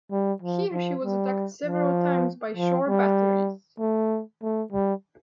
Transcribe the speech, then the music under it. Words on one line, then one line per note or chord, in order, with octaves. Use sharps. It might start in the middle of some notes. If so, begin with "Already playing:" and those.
Here she was attacked several times by shore batteries.
G3
F3
F3
G3
F3
F3
G3
A3
A3
G3